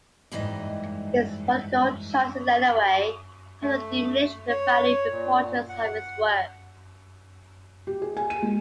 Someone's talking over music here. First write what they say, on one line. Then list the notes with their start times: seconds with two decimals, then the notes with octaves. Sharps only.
His political choices, anyway, have not diminished the value and importance of his work.
0.32 D#2 G#2 E3 G3 D#5
3.62 A3
4.49 C#5
5.11 A#2
5.69 F#5
7.87 G4
8.02 G#4
8.17 G#5
8.30 D#7
8.42 G#3